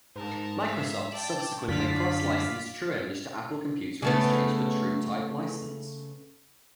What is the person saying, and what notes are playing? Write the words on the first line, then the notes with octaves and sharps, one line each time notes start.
Microsoft subsequently cross-licensed TrueImage to Apple Computer in exchange for a TrueType license.
G#2 A#4 A5
E5 F5
D5 G5 A5
F#2 D3 F4 D5 F5 B6
C#3 A3 B3